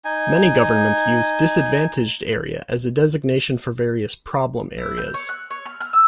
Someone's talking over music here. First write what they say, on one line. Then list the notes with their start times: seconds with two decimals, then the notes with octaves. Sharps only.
Many governments use "Disadvantaged area" as a designation for various "problem" areas.
0.05 D#4 G#5
4.78 E4
4.98 G6
5.14 C#5
5.29 F#6
5.50 C#5
5.66 F6
5.80 F6
5.93 E6